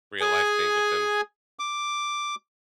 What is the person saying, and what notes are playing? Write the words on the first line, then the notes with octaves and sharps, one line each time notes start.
real life thing with them.
G#4 G#5
D6